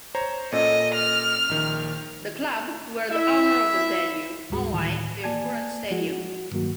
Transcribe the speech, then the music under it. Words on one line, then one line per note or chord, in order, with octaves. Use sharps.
The club were the owner of the venue, unlike their current stadium.
C5 C#5 A#5
A#2 C#4 A4 D#5
F6
A#1 D#3
E4 E5
D2 G#2 G3 G#3 F#4 G#4
A2 D#3 E3
A#3 D5 G#5 A5 G#6
F3 G#3 F#4 G#4
F#4
G2 D#3 F#3 A#3 F#4